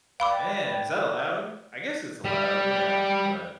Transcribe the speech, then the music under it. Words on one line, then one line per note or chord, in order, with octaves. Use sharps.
Man, is that allowed? I guess it's allowed, yeah, but
B4 D5 F5 G5 B5 D6
G3